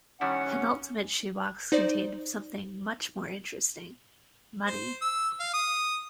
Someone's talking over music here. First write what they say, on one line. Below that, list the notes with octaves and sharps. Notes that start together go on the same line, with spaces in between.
The penultimate shoe box contained something much more interesting – money.
D#3 G3 C#4 E4 F#5
D#4 C5 D5
C5
E6
F5
D#6